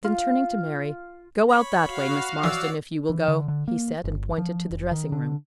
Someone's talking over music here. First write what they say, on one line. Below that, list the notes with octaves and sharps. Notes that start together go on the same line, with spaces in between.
Then turning to Mary, "Go out that way, Miss Marston, if you will go," he said, and pointed to the dressing-room.
F4
C#5 B5
F#4 F5
E3 C#5 D5 E6
E3
D3
D3
A#3
G1
F3
F1
D#3
D3